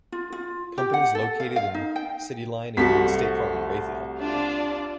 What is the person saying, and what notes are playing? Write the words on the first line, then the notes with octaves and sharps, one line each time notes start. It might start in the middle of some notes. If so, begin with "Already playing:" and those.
Companies located in CityLine include State Farm and Raytheon.
F4
F4
G4
F#5
A4
F5
F5
D#4
G5
C2 C3 A3 F#4 B6
D4 F4 D5